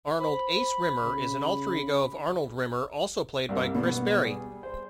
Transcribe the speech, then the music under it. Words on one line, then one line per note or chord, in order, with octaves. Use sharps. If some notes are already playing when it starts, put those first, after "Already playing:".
Arnold "Ace" Rimmer is an alter-ego of Arnold Rimmer, also played by Chris Barrie.
C5 B5
C#3
C2 G2 G3 A#3
B2 B3
G3 G#4
C5